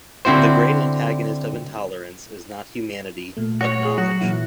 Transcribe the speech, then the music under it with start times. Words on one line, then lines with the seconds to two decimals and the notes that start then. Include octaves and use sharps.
The great antagonist of intolerance is not humanity, but knowledge.
0.25 D3 C4 E4 F#4 C5
3.37 A#2 A3
3.61 F#4 C#5
3.84 G#4
3.98 F#3 F#4
4.21 A#2 E3 E4